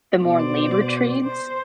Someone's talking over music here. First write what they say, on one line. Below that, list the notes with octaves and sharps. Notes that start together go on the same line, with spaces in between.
the more labor trades,
B2 C5 D5
C5